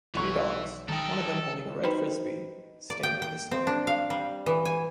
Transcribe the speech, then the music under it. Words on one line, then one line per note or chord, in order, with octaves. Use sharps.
Three dogs, one of them holding a red Frisbee, stand in the snow.
B1 E3 C#6
D#3 G3 D#4 A4 G5
D#4 F#4 B4 C5 G5 B5
D5
G5
G5
C4
D4
F5
G3
E3
G#5